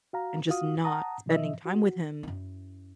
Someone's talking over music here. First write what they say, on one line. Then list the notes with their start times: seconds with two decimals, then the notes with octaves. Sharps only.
and just not spending time with him,
0.13 F#4 F5 A#5
0.49 F4 F#4 F5 D#6
0.84 F#5 A5 A#5 D#6
1.26 B2 E3 F3 D#5 E5
1.66 F#4
2.23 F#2 E4